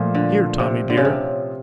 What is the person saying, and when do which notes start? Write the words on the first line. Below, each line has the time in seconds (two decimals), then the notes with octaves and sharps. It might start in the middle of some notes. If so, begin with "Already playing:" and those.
Here, Tommy, dear.'
Already playing: A#2 F3 A3
0.15 D3
0.59 C3
0.90 D3
0.97 C#3
1.05 C3